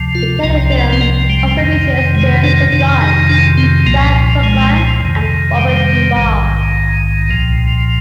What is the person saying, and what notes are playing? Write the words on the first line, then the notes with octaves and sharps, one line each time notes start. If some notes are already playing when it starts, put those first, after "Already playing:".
The telefilm also features Jill Saint John, Jack Klugman, and Robert Duvall.
Already playing: D2 C3 F3
F4
C2 C3 F3 D#4
D4
C4
A#3
G3
F2 C3 D#3
G#3
D4
F2 C3 D#3 D4
D#4
D4
C4
C2 A#2 F3 A#3
G#3
F2 C3 D#3
G3
A#1 G#2 D#3
C2 A#2 F3